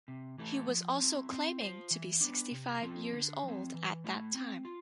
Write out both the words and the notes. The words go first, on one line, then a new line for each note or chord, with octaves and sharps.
He was also claiming to be sixty-five years old at that time.
C3
E3 A3 E4 A4
F3
C4 E4
C4
F4 C5
E3
B3 D4
C3
F3 C4 F4 A4
D3
F3 C4
E3
A3 E4
C4
F4